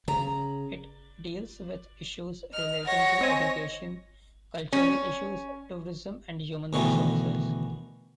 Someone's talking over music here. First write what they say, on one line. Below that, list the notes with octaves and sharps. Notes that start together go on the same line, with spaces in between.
It deals with issues relating to education, cultural issues, tourism and human resources.
C#3 A#5
D#5 F6
C#5 F#5 A#6
C4 D#5 G#5
C#4
D2 B2 D#3 E3